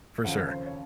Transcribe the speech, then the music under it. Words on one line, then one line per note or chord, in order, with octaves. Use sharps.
for sure,
F1 D#2 C#3 F3 F#5
C5
C#5